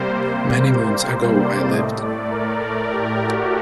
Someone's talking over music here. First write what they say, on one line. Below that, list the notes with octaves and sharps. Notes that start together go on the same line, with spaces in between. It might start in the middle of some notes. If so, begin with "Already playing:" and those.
Many moons ago I lived.
Already playing: C3 G3 A#3 C5
C5
D5
A2 A3 D#5
D5
A#4
G4
F#4